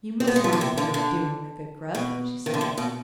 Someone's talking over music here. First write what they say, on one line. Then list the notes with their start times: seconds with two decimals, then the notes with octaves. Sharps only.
"You must mind what you are doing, my good Grub," she said.
0.20 C4
0.27 B3
0.36 G#3
0.44 F3
0.53 D3
0.61 C3
0.77 D3
0.94 D3
1.95 B2
2.46 D#3
2.54 D3
2.61 C3
2.78 B2